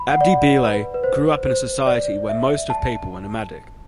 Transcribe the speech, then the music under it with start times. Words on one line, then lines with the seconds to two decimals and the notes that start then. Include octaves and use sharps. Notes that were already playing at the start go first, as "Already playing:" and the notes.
Abdi Bile grew up in a society where most of people were nomadic.
Already playing: B5
0.10 F#5
0.21 D5
0.62 B4
0.94 B4
1.03 C5
1.46 C5
1.86 D5
2.29 E5
2.70 A5